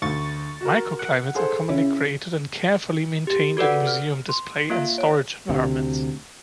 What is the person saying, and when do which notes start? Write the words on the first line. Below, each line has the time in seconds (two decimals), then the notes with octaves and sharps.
Microclimates are commonly created and carefully maintained in museum display and storage environments.
0.02 D2 C#6 A6
0.61 F#4 A#4
0.99 F#5
1.35 G#4 A4 C5
1.70 C#3 E4
3.27 G4
3.57 F#4 A4 B4 D5 F#5
3.87 F6
4.29 C6
4.70 A#3 F4 E5 F5
4.98 C#5
5.49 D2 C3